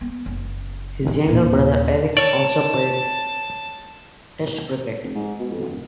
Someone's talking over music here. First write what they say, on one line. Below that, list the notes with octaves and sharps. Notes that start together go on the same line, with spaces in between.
His younger brother Eric also played Test cricket.
B3
F#1
D#3 E3
D#2 A#2
C#5 D5 A5
F1
G#2
B2
F2
D#1